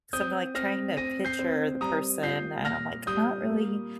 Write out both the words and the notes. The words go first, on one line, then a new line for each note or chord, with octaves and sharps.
so I'm like trying to picture the person and I'm like, "I'm not really
C4 D#6 G6
C4 F6 A#6
C4 A#6 D#7
G6 C7
C4
G3 A#5 D#6
F4 G6 C7
A#2 F6 A#6
G3 D#6 G6
A#3